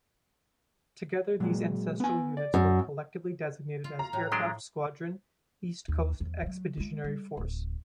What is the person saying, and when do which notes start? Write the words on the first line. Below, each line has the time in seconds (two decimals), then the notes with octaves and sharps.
Together, these ancestral units were collectively designated as Aircraft Squadron, East Coast Expeditionary Force.
1.40 A#2 F#3 G#3
2.00 B3 G#5
2.37 D5
2.54 F#2
3.84 F4
3.99 A#5
4.13 A2
4.32 F#3 G#3 D4 C6
5.88 D#2
6.20 E2 F3
6.43 F#3 A3
6.77 G#3 F4
7.04 G3
7.37 D1